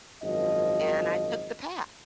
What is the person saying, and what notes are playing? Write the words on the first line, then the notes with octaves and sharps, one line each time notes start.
and I took the path.
G#1 F#2 F3 D#5